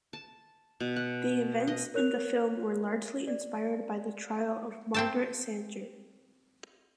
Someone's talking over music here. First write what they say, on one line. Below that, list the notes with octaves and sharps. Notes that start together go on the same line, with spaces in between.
The events in the film were largely inspired by the trial of Margaret Sanger.
A5
B2
F#5
D#5
A#4 C#5 F#6 F7
D5
C4 G5 A5